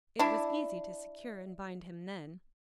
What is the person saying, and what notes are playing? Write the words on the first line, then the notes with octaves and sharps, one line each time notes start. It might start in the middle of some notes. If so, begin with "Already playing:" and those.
It was easy to secure and bind him then.
D4 E4